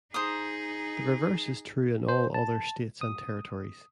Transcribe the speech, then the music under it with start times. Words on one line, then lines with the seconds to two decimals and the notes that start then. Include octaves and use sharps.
The reverse is true in all other states and territories.
0.14 D#4 G#4 C5 A#5 D#6
2.08 C5
2.34 A5
3.01 D#6